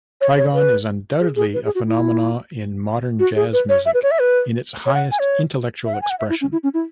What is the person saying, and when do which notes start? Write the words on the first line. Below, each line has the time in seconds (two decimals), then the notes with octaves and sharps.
Trigon is undoubtedly a phenomenon in modern jazz music in its highest intellectual expression.
0.21 C#5
0.38 C#5
0.54 B4
1.20 G#4
1.36 G#4
1.54 B4
1.65 G#4
1.75 F#4
1.87 E4
3.19 F#4
3.36 G#4
3.53 B4
3.69 C#5
3.86 E5
3.94 B4
4.03 C#5
4.11 E5
4.19 B4
4.86 C#5
4.94 F#5
5.11 G#5
5.19 C#5
5.86 E5
5.94 F#5
6.02 G#5
6.10 F#5
6.19 E5
6.30 E4
6.41 C#4
6.52 E4
6.63 C#4
6.74 E4